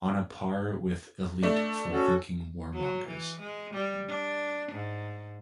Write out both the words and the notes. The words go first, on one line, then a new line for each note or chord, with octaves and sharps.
On a par with "Elite" for thinking warmongers.
A3 D4
C#4 F#4 A4
F#3
E3
G#3
G3
D4
G#2